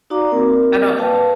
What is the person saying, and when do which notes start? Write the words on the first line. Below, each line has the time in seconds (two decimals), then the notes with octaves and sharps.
I don't
0.10 D#4 F#4 D5 F5 A#5 D6
0.31 A#3 C4 A#4
0.97 B4 F5 G5 A5